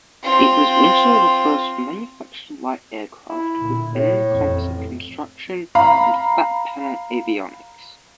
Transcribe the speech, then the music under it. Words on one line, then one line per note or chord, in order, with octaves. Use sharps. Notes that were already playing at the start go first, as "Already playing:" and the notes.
It was also the first manufactured light aircraft with all-composite construction and flat-panel avionics.
C4 F4
E4
A#2 D3
A2 C3
A1 F2
F5 A#5 B5